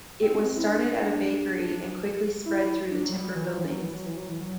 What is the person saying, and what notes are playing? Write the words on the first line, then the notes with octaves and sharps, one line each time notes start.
It was started at a bakery, and quickly spread through the timber buildings.
C4
C4
E4
D4
E4
D4
F#3
G3
E3
F#3
E3
F#3
E3
F#3
E3
F#3
E3
F#3